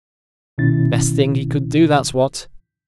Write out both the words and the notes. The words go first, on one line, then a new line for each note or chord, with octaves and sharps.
Best thing he could do, that's what.
C2 B2 D#3 C#4 E4 A6